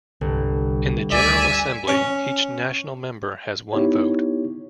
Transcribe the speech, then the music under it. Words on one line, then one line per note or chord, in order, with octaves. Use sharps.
In the General Assembly, each national member has one vote.
G1 C2
D2 D5 E5 G#5
C#4
B3 D#4 E4 G4 C#5